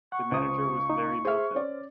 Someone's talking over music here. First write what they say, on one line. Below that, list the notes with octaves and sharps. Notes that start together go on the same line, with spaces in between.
The manager was Larry Milton.
F#5 C#6
C#2 C5 D#6
D#4
G#4 C5 E5 F6
C#4 D5